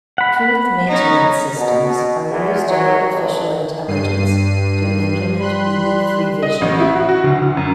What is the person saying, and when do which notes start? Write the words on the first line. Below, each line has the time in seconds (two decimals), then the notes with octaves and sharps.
Truth maintenance systems are used in Artificial Intelligence to implement belief revision.
0.18 F#5 B5
0.87 C#4 D#4
1.56 B2
2.30 E2
2.68 F#3
3.11 A1
3.88 G2 C7 D#7
5.40 G3 B5 C6 F#6
6.42 D#5
6.61 A1
6.80 E4
6.95 F#4
7.09 F#4
7.23 D2
7.42 D2
7.57 F#2